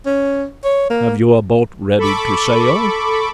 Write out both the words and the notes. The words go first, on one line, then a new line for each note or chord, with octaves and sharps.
"Have you a boat ready to sail?"
C#4
C#5
A#3
A4 B5 C#6 D6